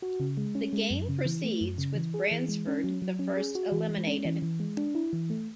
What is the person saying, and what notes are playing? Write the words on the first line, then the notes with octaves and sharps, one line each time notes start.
The game proceeds, with Bransford the first eliminated.
F#4
C#3
G#3
C#4
G#3
F#2
C#3
E3
A3
F#2
C#3
E3
G#4
E3
G#3
C#4
F#3
F#3
C#4
G#4
F#4
E3
G#3
C#4
E3
E3
G#3
D4
E4
E3
A3